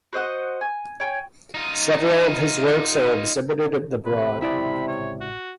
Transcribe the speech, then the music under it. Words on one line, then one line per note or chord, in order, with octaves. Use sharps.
Several of his works are exhibited at The Broad.
F#4 C5 D#5 F#5
G#5
C#5 G5 G#5
D#4 F4
C3 B4
C#2 E4 D5 B5
C#5
F#4